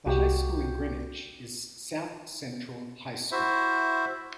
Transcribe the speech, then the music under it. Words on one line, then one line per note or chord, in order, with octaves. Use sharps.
The high school in Greenwich is South Central High School.
C2 F#4 G4
E4 F#4 C5 E5